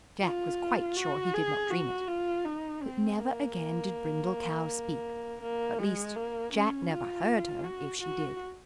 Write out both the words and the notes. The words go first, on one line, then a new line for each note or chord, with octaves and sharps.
Jack was quite sure he did not dream it, but never again did Brindle Cow speak--at least, Jack never heard her if she did.
F4
F#4
G#4
F#4
F4
D#4
C4
A#3
A#3
G#3
A#3
C#4
F4
F#4
F#4